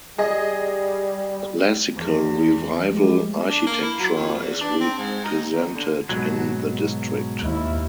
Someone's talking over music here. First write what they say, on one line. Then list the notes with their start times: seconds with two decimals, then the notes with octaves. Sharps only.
Classical Revival architecture is represented in the district.
0.18 G3 G#4 D#5
1.95 E2
2.54 E3
2.90 F3 G#3 A3 G4
3.49 D4
3.66 A#3
3.82 E4
3.99 F#3
4.14 F2
4.39 E2
4.61 D4
4.80 C4
4.98 G#2
5.24 D#4
5.54 D#2
5.74 D3
6.09 G#2 B2 F#3
7.40 D#2 E4